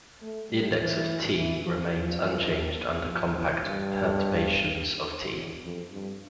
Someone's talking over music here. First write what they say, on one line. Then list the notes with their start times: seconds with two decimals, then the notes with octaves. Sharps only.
The index of "T" remains unchanged under compact perturbations of "T".
0.22 A3
0.49 G3
0.78 E3
1.35 E3
1.64 F3
1.92 F3
3.06 F3
3.35 E3
3.63 G2
5.34 E2
5.63 F2
5.92 G2